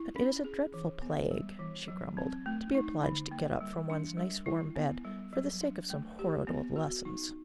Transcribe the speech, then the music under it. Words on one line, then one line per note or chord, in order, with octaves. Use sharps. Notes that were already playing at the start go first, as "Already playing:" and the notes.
"But it is a dreadful plague," she grumbled, "to be obliged to get up from one's nice warm bed, for the sake of some horrid old lessons!"
Already playing: E4
C#4
G#4
E3
B3
G3
E3
F#3
C4
A3
D#4
D3
A#3
G3
D4
G3
E4
B3
G3
F#3
D4
A3
G4
B3
F#4
D#4